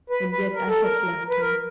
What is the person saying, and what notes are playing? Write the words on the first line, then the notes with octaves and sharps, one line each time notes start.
And yet I have left him.
B4
B4
A#4
A4
A#4
B4
A#4